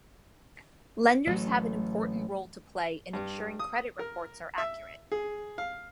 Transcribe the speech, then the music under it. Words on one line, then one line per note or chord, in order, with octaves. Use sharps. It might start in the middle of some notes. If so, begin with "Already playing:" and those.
Lenders have an important role to play in ensuring credit reports are accurate.
A1 F#3 A3
G2
D#6
A#4
E5
G#4
F5